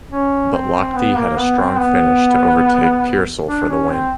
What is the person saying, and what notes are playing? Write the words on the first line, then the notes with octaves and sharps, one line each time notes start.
But Lochte had a strong finish to over-take Peirsol for the win.
C#4
C4
B3
A#3
B3
C4
B3
D4
C#4
C4